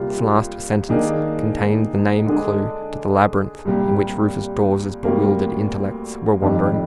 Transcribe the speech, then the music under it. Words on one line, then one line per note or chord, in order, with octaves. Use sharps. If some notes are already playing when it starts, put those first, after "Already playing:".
This last sentence contained the name-clue to the labyrinth in which Rufus Dawes's bewildered intellects were wandering.
Already playing: C2 C3 G3 A#3 F4
D#3 A#3 D4 G#4
D3 G#3 D4 G#4 D5
C2 A#2 G3
D2 C3 G3 A#3
F1 F2 D#3 G3 D4